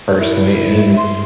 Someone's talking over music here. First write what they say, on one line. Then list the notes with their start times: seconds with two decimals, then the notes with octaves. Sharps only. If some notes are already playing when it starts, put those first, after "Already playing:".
personally, and,
0.20 E4
0.97 C6